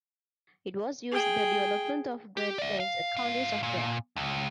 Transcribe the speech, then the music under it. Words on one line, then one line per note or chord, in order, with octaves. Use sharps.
It was used in the development of Great Plains accounting software.
G#4 G5
G4
D5 E5
F5
G#2 F5
A#2
C#2